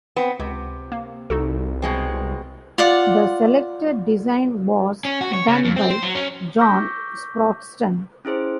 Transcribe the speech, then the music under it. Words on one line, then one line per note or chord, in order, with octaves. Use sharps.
The selected design was done by John Sproston.
B3 C4
C#2 C3
A#3
C2 D#4 F#4 A4
B2 G#3 C4
F4 D5 F#5
C#4
F#4
C#5
C#3
F2
C4
C5
F#3
C#4
C#6 D6 E6 G6 A#6 B6
C#4 E4 G#4 C5